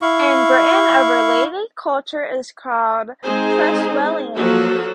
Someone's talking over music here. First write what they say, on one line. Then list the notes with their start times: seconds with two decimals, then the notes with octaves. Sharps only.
In Britain a related culture is called Creswellian.
0.02 E4 F5 C#6
3.22 G#3 C4 D#4 G#4 C5
4.35 F3 F#3 A#3 F#4 A4